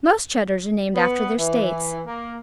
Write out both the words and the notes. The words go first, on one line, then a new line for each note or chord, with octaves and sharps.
Most Cheddars are named after their states.
B3
E3
A#3